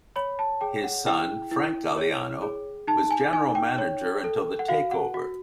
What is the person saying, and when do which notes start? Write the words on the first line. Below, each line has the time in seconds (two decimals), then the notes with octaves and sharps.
His son, Frank Galliano was General Manager until the takeover.
0.16 C#5 B5
0.39 A5
0.61 G#4 G5
0.84 F#5
1.06 E4 G5
1.51 E4
1.97 C#5
2.42 G#4
2.87 D#4 A5
3.11 G#5
3.33 D#4 G#5
3.55 G5
3.78 C#5
4.24 A4
4.59 F#5
4.68 F#4 F5
4.91 F#5
5.14 F#4